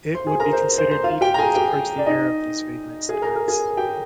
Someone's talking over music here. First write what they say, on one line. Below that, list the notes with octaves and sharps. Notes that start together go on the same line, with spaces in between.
It would be considered needful to purge the air of these vagrant spirits.
C5 C6
G#4 G#5
A#4 A#5
C5 C6
C5 C6
C5 C6
F4 F5
G4 G5
A#5
G#4 G#5
G4 G5
D5
D#4 D#5
G#4 G#5
A#4 A#5
A#4 A#5
G#4 G#5
G4 G5